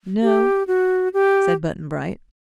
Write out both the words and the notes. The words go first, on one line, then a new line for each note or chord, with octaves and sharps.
"No," said Button-Bright.
G4
F#4
G4